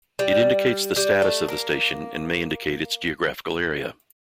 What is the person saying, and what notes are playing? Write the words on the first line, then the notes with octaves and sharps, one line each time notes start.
It indicates the status of the station and may indicate its geographical area.
G3
G3
A3
A#3